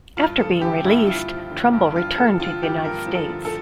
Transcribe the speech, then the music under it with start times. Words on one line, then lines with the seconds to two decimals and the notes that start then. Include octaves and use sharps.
After being released, Trumbull returned to the United States.
0.17 G2 F4
0.39 F3 A4
0.61 D3 G4
0.84 G2 E4
1.07 G2 F4
1.29 F3
1.51 D3
1.73 G2
1.96 G2 F4
2.18 F3 A4
2.40 D3 F4
2.62 G2 G4
2.85 G2 A#4
3.07 F3
3.15 A4
3.29 D3
3.45 A4